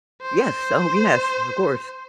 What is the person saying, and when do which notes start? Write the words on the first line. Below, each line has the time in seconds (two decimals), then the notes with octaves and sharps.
Yes. Oh, yes. Of course.
0.22 C5